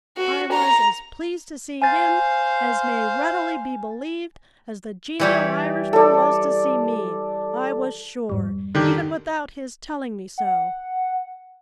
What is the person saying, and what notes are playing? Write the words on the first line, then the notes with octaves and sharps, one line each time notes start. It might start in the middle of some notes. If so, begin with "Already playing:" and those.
I was as pleased to see him, as may readily be believed, as the genial Irishman was to see me, I was sure, even without his telling me so.
F#4
A#5
C5 F5 G#5 A6
E3 G3 C#5
A4 D5
F2 G#2 G3
D3 D#3 G4
F#5